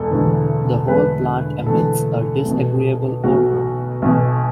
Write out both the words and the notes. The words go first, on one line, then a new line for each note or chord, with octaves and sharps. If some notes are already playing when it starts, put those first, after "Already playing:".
The whole plant emits a disagreeable odour.
Already playing: E1 E2 A4
E1 E2 D3
E1 E2 D3 B4
E1 E2 D3 A4
B1 B2
B1 B2 F#4
B1 B2